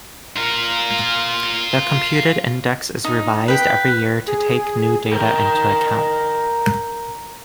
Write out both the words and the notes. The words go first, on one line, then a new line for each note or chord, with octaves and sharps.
The computed index is revised every year to take new data into account.
F4 A#4
D#4
B4 G5
G#4
A#4 G5